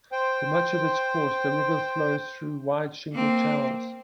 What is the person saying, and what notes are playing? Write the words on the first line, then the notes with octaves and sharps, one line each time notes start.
For much of its course the river flows through wide shingle channels.
C5 G5
A#3 C4